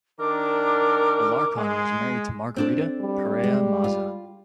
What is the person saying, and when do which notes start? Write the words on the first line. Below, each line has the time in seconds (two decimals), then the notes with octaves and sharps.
Alarcon was married to Margarita Perea Maza.
0.19 D#3 D4 A#4 D6
1.56 G#3 G#5
2.56 C4 D4 A4
3.02 G3
3.44 G#3
3.84 F4